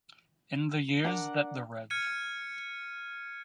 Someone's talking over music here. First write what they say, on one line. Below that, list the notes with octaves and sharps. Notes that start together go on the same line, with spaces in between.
In the years that the Rev.
D4 A#4 F#5
F6 G#6 C#7 D#7